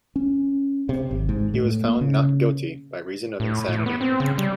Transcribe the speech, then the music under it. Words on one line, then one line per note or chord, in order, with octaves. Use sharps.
He was found not guilty by reason of insanity.
C#4
C3
G#1
G#2
A2
A#3
C#3
A2
A2
B3
C4
C#3
G3